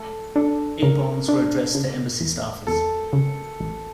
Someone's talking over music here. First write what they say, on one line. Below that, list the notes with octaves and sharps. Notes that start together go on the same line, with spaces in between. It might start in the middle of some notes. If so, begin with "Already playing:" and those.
Eight bombs were addressed to embassy staffers.
Already playing: A3 A4
D4 A4
C#3 A#4
D4
C#3
E2
E2 A4
C#3
A1